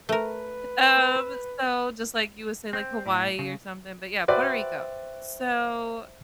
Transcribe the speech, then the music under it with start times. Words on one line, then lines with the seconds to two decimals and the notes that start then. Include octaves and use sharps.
um, so just like you would say, like, Hawaii, or something, but, yeah, Puerto Rico. So,
0.09 A3 A#4 B4
2.73 C4
3.06 A2
3.39 C#3
4.28 F#4 B4 C5 D5 E5 G5